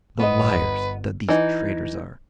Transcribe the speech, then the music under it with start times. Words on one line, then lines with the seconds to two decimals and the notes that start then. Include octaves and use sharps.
The liars that these traders are!'
0.19 G1 B3 B4 C5 D#5
1.28 E3 D#4